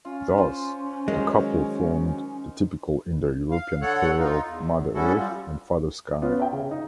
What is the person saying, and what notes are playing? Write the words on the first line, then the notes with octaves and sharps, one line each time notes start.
Thus the couple formed the typical Indo-European pair of mother-earth and father-sky.
C#4 F4
F4 C5 C6
D#3 F#3 G#3 D#4 A#4 F#5
F5
D3 A4 C#5 F#5 F#6
D#4 F4
E2
G3 C#4 E4 F#4 A4
F3 G3
B3 C#4 F4
E5 G5
C#3
D#4